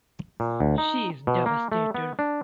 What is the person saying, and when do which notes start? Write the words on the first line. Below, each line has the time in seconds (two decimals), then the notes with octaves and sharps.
She is devastated.
0.40 A#2
0.60 D2
0.78 D#4
1.27 B2
1.46 A#3
1.72 A3
1.95 B3
2.19 D4